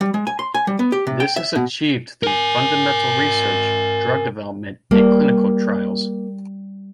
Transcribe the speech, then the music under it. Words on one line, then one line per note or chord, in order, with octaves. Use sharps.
This is achieved through fundamental research, drug development and clinical trials.
G3
G#3
G#5
C6
G#5
G3
B3
G4
C3
G5
E5
B2
A#4 G#5
G3 A#3